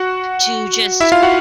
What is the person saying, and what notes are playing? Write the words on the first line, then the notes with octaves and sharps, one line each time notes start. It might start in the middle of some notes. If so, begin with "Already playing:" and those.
to, just,
Already playing: F#4 F#5
E4 E5
F4 F5
F#4 F#5